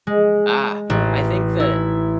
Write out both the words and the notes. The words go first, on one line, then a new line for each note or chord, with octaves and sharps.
Ah. I think that
G#3
A1
E4